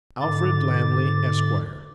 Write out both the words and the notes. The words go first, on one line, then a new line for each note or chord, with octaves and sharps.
'Alfred Lammle, Esquire.
G#2 D3 D6 A6